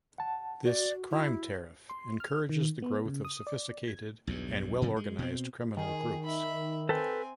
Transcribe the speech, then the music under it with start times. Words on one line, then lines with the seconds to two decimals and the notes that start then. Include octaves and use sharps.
This "crime tariff" encourages the growth of sophisticated and well-organized criminal groups.
0.18 F#5 A5
0.65 F#4 D5
1.11 E4
1.90 C6
2.20 F6
2.49 D#3
2.82 B3
3.06 C#3
3.25 D#6
3.47 D5
3.88 G#6
4.27 B1 E2 G2
4.82 G#2 C3 F3
4.96 G#3
5.19 B2 C4
5.77 D#3 G#4
6.24 E5 B5
6.89 C4 A4 B4 G5 G#5